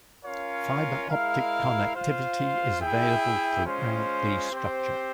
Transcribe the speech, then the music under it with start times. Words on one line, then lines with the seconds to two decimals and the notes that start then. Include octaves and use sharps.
Fiber optic connectivity is available throughout the structure.
0.24 C#4 F4 A#4 C#5 F5
1.09 G#3 E4 A#4 F5
1.95 F4 C5 F5
2.80 E4 G#4 E5 G5
3.65 G#3 C#4 F4 C5
4.51 C4 G4 C5